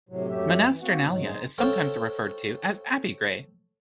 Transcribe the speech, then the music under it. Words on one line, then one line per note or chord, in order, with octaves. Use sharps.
Monasternalea is sometimes referred to as Abbeygrey.
A2 C3 F#3
F#2 F#3 A3 G4 E5
E3
A#3 C4 F#4 F#5
G#2 D#3 F#3
D#4 G#4 C5
A4 C5 C#5 F5 G5